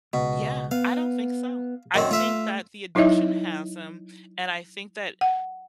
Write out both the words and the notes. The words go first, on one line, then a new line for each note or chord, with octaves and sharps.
Yeah, I don't think so. I think that the addiction has him. And I think that
C#2 B2
B3 F5
F#2 D#3 C4
A3 F4 E5 F5
F#3 D#4 E4 C#5 D#5 E5
F#5